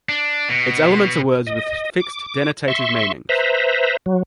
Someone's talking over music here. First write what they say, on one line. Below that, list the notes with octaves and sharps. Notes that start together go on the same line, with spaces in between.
Its elements are words with fixed denotative meanings.
D4
B2
D#5
D6
E5 C6 C#6
B4 C5 E5 A#5
F#3